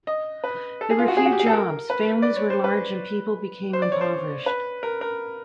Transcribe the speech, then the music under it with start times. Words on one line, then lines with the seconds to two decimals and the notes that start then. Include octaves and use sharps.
There were few jobs, families were large and people became impoverished.
0.07 D#5
0.44 B4
0.81 A4
0.90 G#4
0.99 F4
1.08 F#4
1.17 G#4
1.26 F#4
1.32 G4
1.39 G#4
1.46 A4
1.53 A#4
1.90 B4
2.22 D5
2.36 C#5
2.50 C5
2.64 B4
3.73 C5
3.82 D5
3.92 C#5
4.01 C5
4.46 B4
4.83 A#4
5.01 A#4